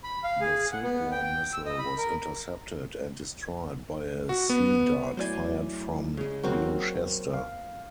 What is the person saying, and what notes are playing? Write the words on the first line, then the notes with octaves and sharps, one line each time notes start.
The Silkworm missile was intercepted and destroyed by a Sea Dart fired from "Gloucester".
B5
F5
G#4
F#5
B3
G5
G5
E6
D#5
B5
A#4
F#4
B3
F#3 A3 E4 C5 D5 G#5
C#3 G#3
F#3 A#3 C4 F#4 A#4 C5
F5